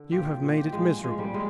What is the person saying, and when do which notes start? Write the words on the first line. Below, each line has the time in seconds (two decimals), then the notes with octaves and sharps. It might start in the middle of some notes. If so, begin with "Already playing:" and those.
You have made it miserable.
Already playing: D3
0.12 A#2 F3 G4
0.42 A#2 F3
0.57 G4
0.73 A#2 F3 G#3
1.03 A#2 F3 G#3
1.19 G3
1.34 C3 G#3